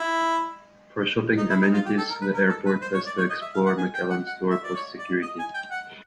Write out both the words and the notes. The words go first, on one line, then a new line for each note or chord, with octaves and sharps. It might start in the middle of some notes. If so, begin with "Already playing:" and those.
For shopping amenities, the airport has the Explore McAllen store post-security.
Already playing: E4
D#4
E4
D#4
F4
G4
A4
A#4
B4
A#4
A4
B4
C5
C#5
D5
C#5
D#5
E5
F5
F#5
G#5
G5
F#5
F#5
E5
D5
C#5
D5
D#5
G#5
G5
F#5